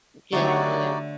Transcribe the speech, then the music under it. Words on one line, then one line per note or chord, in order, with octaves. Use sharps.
Yeah, yeah.
D3 F#3 A3 D#4 F#4 G4 C#5 D5